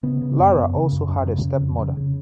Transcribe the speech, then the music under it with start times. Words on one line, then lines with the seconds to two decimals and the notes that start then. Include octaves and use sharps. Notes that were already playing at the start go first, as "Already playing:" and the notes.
Lara also had a stepmother.
0.03 C#3 B3
0.21 C#3
0.39 F#2
0.56 F#2
0.74 C#3
0.92 F#2
1.08 F#2
1.26 C#3
1.44 C#3
1.61 F2
1.78 C#3
1.97 C#3